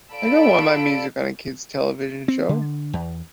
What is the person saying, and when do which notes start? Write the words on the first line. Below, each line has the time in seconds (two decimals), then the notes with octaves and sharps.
I don't want my music on a kid's television show!
0.13 F4 A4 D5 B5 E6 D7
2.28 C4
2.49 D3
2.93 E2